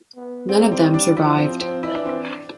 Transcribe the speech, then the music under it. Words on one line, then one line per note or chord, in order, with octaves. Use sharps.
None of them survived.
B3
G3 C4
C4
D4
F3 E4
C4
C4
E3 E4
D4
C4
D4